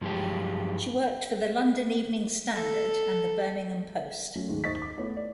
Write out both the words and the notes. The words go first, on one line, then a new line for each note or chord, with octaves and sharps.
She worked for the "London Evening Standard" and the "Birmingham Post".
G2 F3 F#3 G#3 D#4 G4
A4
F#3 A3 C#4
D#2 G#2 D#3 G#3
D#2 C5 D#5 C#6 A6 B6
D6
A3 B3 E4 C#5
D5